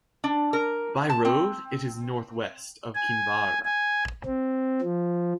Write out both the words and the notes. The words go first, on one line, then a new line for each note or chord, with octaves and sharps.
By road it is northwest of Kinvarra.
D4
A#4
A5
C4
G#5
G#5
C4
F3